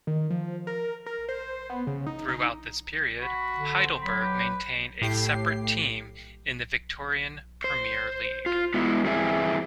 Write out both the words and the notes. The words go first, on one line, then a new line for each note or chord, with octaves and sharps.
Throughout this period, Heidelberg maintained a separate team in the Victorian Premier League.
D#3
F3
A#4
A#4
C5
B3
C#3
D#4
D#4
F#4 B5
D3
C4
F#3 B5
G4 B4
A2 G4 C7
C5
F4
G#3 B3 E4 F#4
G2 E3 C4 G#4 E5